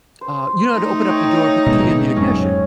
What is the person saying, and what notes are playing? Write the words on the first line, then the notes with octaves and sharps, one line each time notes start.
uh, you know how to open up the door and put the key in the ignition,
C5
A3 D#4
C#5 G5
B2 G#3 A#3
F2 G#2 F#3 C#4